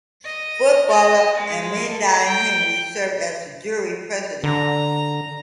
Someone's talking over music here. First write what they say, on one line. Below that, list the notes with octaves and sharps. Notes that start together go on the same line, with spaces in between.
Footballer Amandine Henry served as the jury president.
D#5
D#5
G#3
A4
G5
D3 A#5